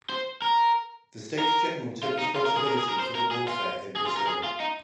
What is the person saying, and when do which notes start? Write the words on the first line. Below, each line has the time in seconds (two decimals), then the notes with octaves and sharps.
The States General took responsibility for the warfare in Brazil.
0.10 C5
0.42 A#4
1.39 A#4
2.03 F4
2.19 D#4
2.35 F4
2.45 A#4
2.57 G#4
2.67 A#4
2.78 G#4
2.89 A#4
2.99 C5
3.15 A#4
3.31 G#4
3.48 F4
3.96 G#4
4.07 F4
4.17 A#4
4.28 G#4
4.44 F4
4.60 D#4